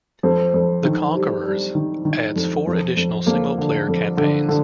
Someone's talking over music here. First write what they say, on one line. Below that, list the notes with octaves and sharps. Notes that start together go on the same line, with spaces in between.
"The Conquerors" adds four additional single player campaigns.
F2 C4
F2
D#3
G3
G3
D#3
D#3
F2
F2
F2
F2 A#3
D3
F2
D3
D3